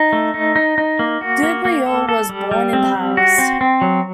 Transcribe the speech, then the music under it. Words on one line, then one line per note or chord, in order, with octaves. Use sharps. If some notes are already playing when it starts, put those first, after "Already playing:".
Dubreuil was born in Paris.
Already playing: D#4
A3
D#4
D#4
D#4
A#3
F#4
A#3
A#3
A4
A4
G3
G3
C4
G3
F#4
C4
C4
F#3